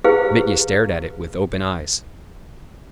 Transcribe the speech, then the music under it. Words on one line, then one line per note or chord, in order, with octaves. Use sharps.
Mitya stared at it with open eyes.
E4 G4 G#4 B4 C5 F5